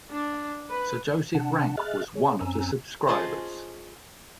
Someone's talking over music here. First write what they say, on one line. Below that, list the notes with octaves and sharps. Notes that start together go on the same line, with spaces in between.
Sir Joseph Rank was one of the subscribers.
D4
B4
C3 D4 F#5 A5
G#4 D#5 E5 F6 F#6 A6
G#4 C#5
F#2 C4 C#4 G#5 A#5 E6
C#4 F4 G#4 C5 D#5 A5